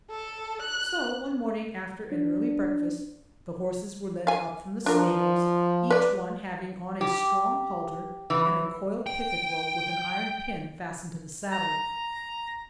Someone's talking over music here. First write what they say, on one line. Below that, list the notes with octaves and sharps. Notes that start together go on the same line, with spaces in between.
So, one morning after an early breakfast, the horses were led up from the stables, each one having on a strong halter, and a coiled picket rope with an iron pin fastened to the saddle.
A4
F#6
D4
F5 G#5
F3 D4 A#4
B4 D5
G4
E3
G5
A#5